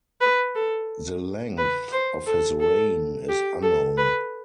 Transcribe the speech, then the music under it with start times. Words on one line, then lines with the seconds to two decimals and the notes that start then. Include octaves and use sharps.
The length of his reign is unknown.
0.21 B4
0.55 A4
1.57 B4
1.92 C5
2.26 A4
2.60 A4
3.29 G4
3.62 A4
3.97 B4